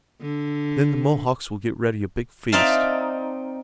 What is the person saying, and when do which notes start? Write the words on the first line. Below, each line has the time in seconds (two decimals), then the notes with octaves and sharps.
Then the Mohawks will get ready a big feast.
0.21 D3
2.52 C4 D#4 D5 E5 F5 A5